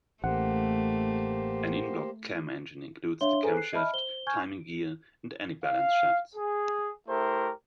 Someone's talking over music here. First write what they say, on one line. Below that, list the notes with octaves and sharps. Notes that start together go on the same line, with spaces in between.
An in-block cam engine includes the camshaft, timing gear, and any balance shafts.
A1 A3 A#3 G4 C5 F#5
D4 C#5 E5 F5 C6 G7
G#4 A4 B4 C5 G#5 A#5
F#6 C7
D#5 E5 A5 B5 F6
C5 G7
G#5 C#6 F6 G6 G#6
F5
G#4
A3 E4 G4 A#4 C5